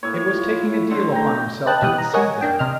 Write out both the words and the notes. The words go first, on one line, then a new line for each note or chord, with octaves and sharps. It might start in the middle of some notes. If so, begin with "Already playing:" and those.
It was taking a deal upon himself to exceed them.
A2 A#3 C#5
F4
E4
D3 C6
A3 G5 A#5
B4 D#5 G5 A5 F#6
B2 G3 G5 D#6 F#6
A#5
A#4 C#5 D#5 F#5 G#5
A#3 D4 G5
C3 D#5 F6